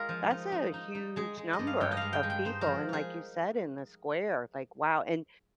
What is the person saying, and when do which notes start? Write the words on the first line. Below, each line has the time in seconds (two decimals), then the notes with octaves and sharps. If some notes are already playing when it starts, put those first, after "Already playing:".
that's a huge number of people. And like you said in the square, like wow, and
Already playing: G#3 F4 G#4 A#4
0.09 F3
0.31 D#4
0.52 D#4
0.74 D#4
0.95 D#4
1.16 G#3 G#4
1.37 G#3
1.53 D#5
1.59 G2
1.67 F5
1.80 G2 G5
1.91 D#5
1.97 G#3 F5
2.13 G5
2.23 G#3
2.30 G5
2.45 D#4 C5
2.61 A#4
2.67 F3
2.89 D#4 G#4